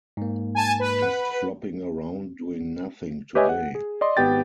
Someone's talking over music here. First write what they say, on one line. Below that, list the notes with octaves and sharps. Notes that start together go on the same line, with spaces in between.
Just flopping around doing nothing today.
G#2 A#3
G#5 A5
B4
F#5
G4 B4 C#5 D#5 E5 G#5
F#5
G#4
D5 D#5 C6
G#1 B3 G4 G5 A6